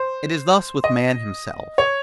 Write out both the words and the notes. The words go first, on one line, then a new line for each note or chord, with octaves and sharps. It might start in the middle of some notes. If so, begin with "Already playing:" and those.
It is thus with man himself.
Already playing: C5
D#5
C#5